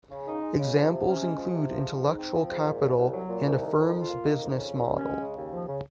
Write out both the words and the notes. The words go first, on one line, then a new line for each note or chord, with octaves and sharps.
Examples include intellectual capital and a firm's business model.
C#3
D#4
G#3
C#3
F3
C3
C#4
G#3
F3
C3
F3
G#2
D#4
C4
F3
G#2
A#2
C2
C2
F#3
A#2
C2
D#3
F2
F4
A#3
D#3
F2
C#3
D#2
C#4
G#3
C#3
D#2
F3
C#3